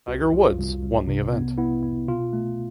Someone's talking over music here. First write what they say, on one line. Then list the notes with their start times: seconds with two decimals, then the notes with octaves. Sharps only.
Tiger Woods won the event.
0.08 C2 F#4
0.33 C2 F4
0.58 C2
0.84 C2
1.08 C3
1.33 B3
1.58 B3 E4
1.83 B3
2.08 B2 F4
2.33 A3